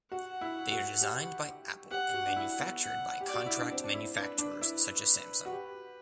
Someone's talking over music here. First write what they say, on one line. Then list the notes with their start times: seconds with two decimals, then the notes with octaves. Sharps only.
They are designed by Apple and manufactured by contract manufacturers such as Samsung.
0.12 F#4 F#5
0.41 E4
0.72 F#4
1.01 G4
1.91 G4 F#5
2.14 F#4
2.27 D4
2.36 E4
2.59 B3
2.82 F#5
3.21 G4
3.27 D5
3.34 F#4
3.46 E4
3.59 D4
3.72 C4
3.84 D4
3.94 E4
4.16 D4 B4
4.38 D4
4.61 E4 B4
5.46 F#4
5.51 G4